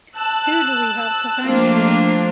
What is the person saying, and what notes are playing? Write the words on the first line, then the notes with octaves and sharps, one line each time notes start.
Who do we have to thank for?
A5 E6 F#6
F3 A3 A#3 C4 D4 F4